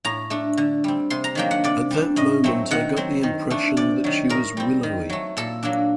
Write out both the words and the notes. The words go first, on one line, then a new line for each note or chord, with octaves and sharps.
At that moment I got the impression that she was willowy.
A2 A#5
A3 D4
D3
G3 C4
C3 C6
A#5
D#3 F#3 A#3 D4 G5
F#5
C3 D5
G3 D4
A2 D#5
F#3 A3 C4
D#3 F#5
F#3 C4
D#3
A3 D4
C3 D5
D#3 F#3
A2 A#4
G3 C4
D#3
F#3 A3
A#2 A4
F#3 A#3 D4